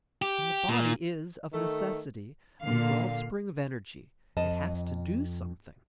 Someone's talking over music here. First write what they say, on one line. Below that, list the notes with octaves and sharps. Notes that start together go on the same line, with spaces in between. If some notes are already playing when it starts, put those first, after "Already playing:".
And the body is, of necessity, a wellspring of energy; it has to do something.
G4
A#2
D#3 A3
A#2 D3 F5
F2 D#5 A5